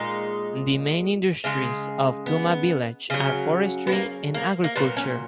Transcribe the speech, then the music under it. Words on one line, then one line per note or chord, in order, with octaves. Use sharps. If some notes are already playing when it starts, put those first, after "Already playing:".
The main industries of Kuma Village are forestry and agriculture.
Already playing: A#2 G#3 D#4
C#3 G#3
B3
C#3 F#3
B3
A#3
A#3
A#3
A#2 F#3 B3
C#4